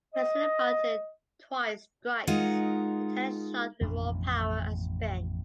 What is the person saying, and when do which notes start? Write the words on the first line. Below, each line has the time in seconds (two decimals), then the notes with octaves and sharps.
Pressing a button twice strikes the tennis shot with more power and spin.
0.15 D#5
2.27 G#3 D#4 F4 A#4 F#5
3.81 A1 F2 B2 D4